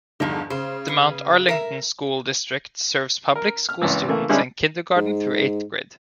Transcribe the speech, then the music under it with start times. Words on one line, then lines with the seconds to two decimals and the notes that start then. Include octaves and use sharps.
The Mount Arlington School District serves public school students in kindergarten through eighth grade.
0.20 E2 G2 D3 F3 D#4
0.50 C#3 C5
0.88 B4
1.49 A#4 E5
3.36 A#4
3.69 F6
3.82 G#1 C#2 E3
4.08 C#3 E3 A3 A#3
4.29 D3 G3 G#3 C4 C#4 E4
4.96 G#2